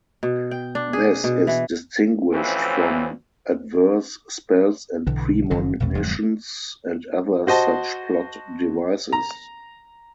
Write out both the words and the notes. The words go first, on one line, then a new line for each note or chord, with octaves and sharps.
This is distinguished from adverse spells and premonitions and other such plot devices.
B2
G5
D4
G#4
B2
E3
D2 A2 E3 F3 C4 C#4
B1 D3 E3
F#1 F#2 D#3 F#3
A#1 E2 B2 A3
D1 F2 F#3 G#3
F#4 C5 D#5 A5
A#5